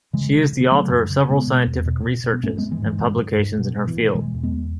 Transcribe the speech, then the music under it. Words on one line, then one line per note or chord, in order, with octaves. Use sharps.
She is the author of several scientific researches and publications in her field.
C#3 E3 G#3
C#3
C#3
B3
C#3 F#3 A3
F#2
C#3
B2 G#3 B3
B2
E2
B2
B2
B2
B3
G#2 A3 C#4
G#3 B3
G#2
E3 G#3
G#2 E3 G#3
G#2
G#2
G#2
B2
B2
E3
B2
B2 E3 G#3
E2
G#3 B3
E2